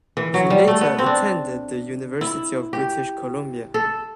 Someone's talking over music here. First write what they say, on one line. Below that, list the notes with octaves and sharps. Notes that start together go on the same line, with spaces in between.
He later attended the University of British Columbia.
E3
F#3
G3
A3
B3
C4
D4
E4
G4
A4